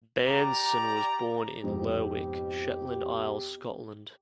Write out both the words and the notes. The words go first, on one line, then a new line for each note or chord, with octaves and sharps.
Bairnson was born in Lerwick, Shetland Isles, Scotland.
G4 D5 A#5
F2 G#2 B2 G4